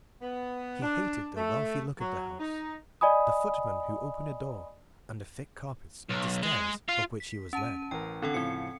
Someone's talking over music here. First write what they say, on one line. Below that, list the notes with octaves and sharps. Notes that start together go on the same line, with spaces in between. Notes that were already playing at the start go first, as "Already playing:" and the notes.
He hated the wealthy look of the house, the footman who opened the door, and the thick carpets of the stairs up which he was led.
B3
D4
A3
F#3
D#4
D5 D#5 G#5 B5 D#6
B1
G#3
F4 F5
B6
C#4 A5 D#7
A1 A#4 G5
D3 C4 A4 F#5
A2 C#3 F3 C4 C#7